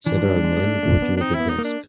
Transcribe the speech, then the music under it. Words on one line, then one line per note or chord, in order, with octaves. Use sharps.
Several men working at a desk.
E3 D4
F3
F#3
G3
G#3
G#3
A3
A3
B3
D4
C4 D#4
E4
B3
D#4
A#3
D4